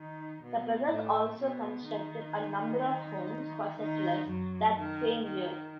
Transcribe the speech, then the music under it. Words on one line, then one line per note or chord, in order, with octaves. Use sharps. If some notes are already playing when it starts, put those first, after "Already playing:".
The brothers also constructed a number of homes for settlers that same year.
Already playing: D#3 D#4
B2 B3
A2 A3
B2 B3
D#3 D#4
D#3 D#4
F#2 F#3
D#3
D#3